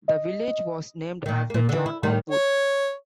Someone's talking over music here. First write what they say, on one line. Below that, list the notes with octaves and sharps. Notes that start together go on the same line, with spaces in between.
The village was named after John Hopwood.
D#5
A#2 D#3
A#2 A#3
D3 E3
E4
A2 D#3 G3
C#5